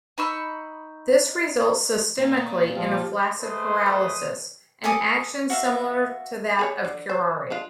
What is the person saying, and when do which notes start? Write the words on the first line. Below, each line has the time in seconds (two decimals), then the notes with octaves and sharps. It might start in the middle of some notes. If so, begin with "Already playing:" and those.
This results, systemically, in a flaccid paralysis, an action similar to that of curare.
0.18 D#4 B5 C#6 E6
2.19 A#2
2.77 F3 G4 F5
3.39 G#3 A3 B4 C5 C6 D#6
4.84 A4 G#5 D6 D#6
5.50 F#4 E5 F5
6.59 G#4 A4 C#5
6.85 D3
7.09 C5
7.50 G#3 D4 F4